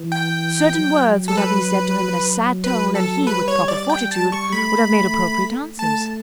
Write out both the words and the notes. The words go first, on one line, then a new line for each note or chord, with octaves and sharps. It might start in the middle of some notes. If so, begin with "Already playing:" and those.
Certain words would have been said to him in a sad tone, and he, with proper fortitude, would have made appropriate answers.
Already playing: E3
G5
F#3
A4
B4
F#3
B4
A4
G3 B4
C#5
D5
G5
A5
C#6
A3 B5
A3 A5